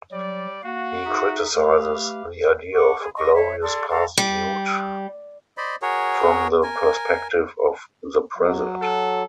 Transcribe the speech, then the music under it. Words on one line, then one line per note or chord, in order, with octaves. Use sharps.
He criticizes the idea of a glorious past viewed from the perspective of the present.
F#3 G3 D5
A#3 F#4 F5
D#4 G#4 E5
A3 G4 B4 F5
F#5 C#6 D6
G#4
D#5 C#6
C#5 E5
G#4 A4 D5 C6
A4 F5 A#5
G3
C5 D5 D#5 B5
F#4 G#4 A#4 C#5
A#4 G#5
F#3
A4